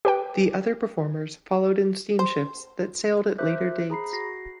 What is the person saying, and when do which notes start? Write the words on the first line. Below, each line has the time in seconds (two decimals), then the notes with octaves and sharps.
The other performers followed in steamships that sailed at later dates.
0.05 G4 B4 G5
2.19 C5
3.38 A#4 C5 E5 D6 F#6 G6
3.90 G#4 A#5 B5 C7
4.13 F#4 A#6 C7